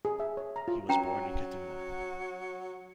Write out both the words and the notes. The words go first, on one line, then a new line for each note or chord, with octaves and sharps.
He was born in Kaduna.
G#4
E5
C#5
A#5
F4
F#3 C#4 G5 A#5